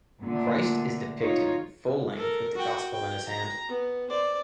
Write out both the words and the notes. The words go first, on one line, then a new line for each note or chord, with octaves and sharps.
Christ is depicted in full length with the gospel in his hand.
A#2 D3 A3
D#4 F4 C#5
A4 A#4
F#4 G5
G5
A#5
B3
C5 D5